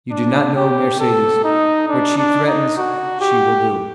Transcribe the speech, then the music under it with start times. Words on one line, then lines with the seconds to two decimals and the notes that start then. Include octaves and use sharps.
"You do not know Mercedes; what she threatens she will do."
0.11 D4
0.56 G4
1.00 A4
1.44 D#4
1.88 D4
2.18 D4
2.47 D#4
2.77 F#4
3.21 G4